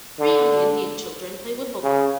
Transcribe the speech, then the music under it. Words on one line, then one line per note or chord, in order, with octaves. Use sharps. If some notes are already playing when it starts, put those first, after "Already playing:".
Three young indian children play wiffle ball.
D3
C#3